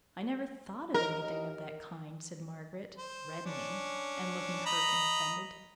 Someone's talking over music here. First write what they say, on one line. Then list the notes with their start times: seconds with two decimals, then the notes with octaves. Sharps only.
I never thought of anything of that kind,' said Margaret, reddening, and looking hurt and offended.
0.94 D#2 A#4 D#5
2.98 C5
3.46 C#4 D4
4.66 D#5 A#5 B5